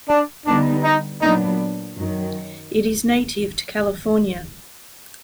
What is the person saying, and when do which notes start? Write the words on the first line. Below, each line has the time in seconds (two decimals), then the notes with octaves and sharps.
It is native to California.
0.08 D4
0.45 D3 G3 B3 D4 D#4
0.84 D#4
1.21 A#2 F#3 B3 D4 D#4
1.97 F#2 D#3 F#3